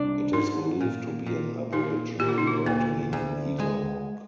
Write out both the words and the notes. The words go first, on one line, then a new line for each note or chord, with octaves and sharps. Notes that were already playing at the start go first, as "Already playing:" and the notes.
It is believed to be an Aboriginal word meaning "eagle hawk".
Already playing: C2 D4
G#2 D#4
A#2
A#2
A#2 D#4
A#2 G4
F4
D#4
F4
D2 A#3
D2
G#3